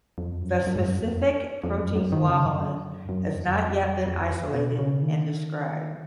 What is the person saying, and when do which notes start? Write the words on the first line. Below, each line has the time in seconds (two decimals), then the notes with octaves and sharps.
The specific protein glomalin has not yet been isolated and described.
0.18 F2
0.42 F#2
0.67 F#2
0.76 G#2
0.83 F#2
0.99 F2
1.64 F2
1.80 F#2
1.96 F#2
2.12 D#3
2.28 C#3
2.45 F#2
3.09 F#2
3.33 F2
4.06 F2
4.54 B2
4.79 C#3
5.02 D#3